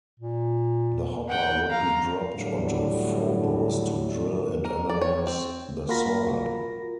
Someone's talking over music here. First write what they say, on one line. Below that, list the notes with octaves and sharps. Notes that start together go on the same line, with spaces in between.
The hopper would be dropped onto Phobos to drill and analyze the soil.
A#2
F#5 G5
F5 A#5
A2 D3 F#3 G3
A#4
D5
C#5
C4
A#3 F4 F#4 A#4 B5 A#6